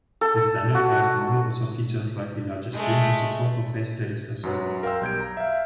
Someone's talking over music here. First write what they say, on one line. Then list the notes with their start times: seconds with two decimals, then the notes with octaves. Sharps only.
The standard-sized model also features slightly larger screens, and support for faceplate accessories.
0.21 A4
0.75 F#4
2.74 G#3 A3
4.43 F#2 F#3 B4
4.83 A#4 F5 G5 C6 E6
5.01 B1 G3 G6 G#6 D7
5.20 A#5
5.37 E5 F5